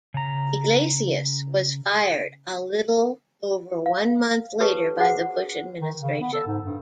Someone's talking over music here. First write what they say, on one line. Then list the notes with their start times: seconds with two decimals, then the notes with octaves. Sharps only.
Iglesias was fired a little over one month later by the Bush Administration.
0.14 C#3 A#5
3.86 F5
4.60 G4 A4 B4 C#5 A5 C#6
4.97 D4 F#4 G#4 C5 F#5
5.81 D#3
5.98 C#3
6.21 B3
6.33 A4
6.47 G#2
6.65 G2